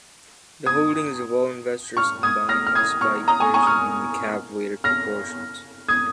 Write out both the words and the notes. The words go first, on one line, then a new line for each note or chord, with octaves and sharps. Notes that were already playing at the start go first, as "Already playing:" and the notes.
The holdings of all investors combined must, by equation, be in the cap-weighted proportions.
D#6 G#6
C#6 F6
D#6 G#6
F6 A#6
F6
D#6 G#6
C#6 F6
A#5 D#6
G#5 C#6
G#5 C#6
D#6
C#6 F6
F6 A#6
D#6 G#6